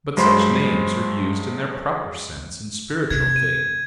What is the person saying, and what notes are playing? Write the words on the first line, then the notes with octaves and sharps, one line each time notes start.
But such names are used in their proper sense in spiritual things.
G2 F#3 G#3 C5 B5 C6
C3 G#6
D#7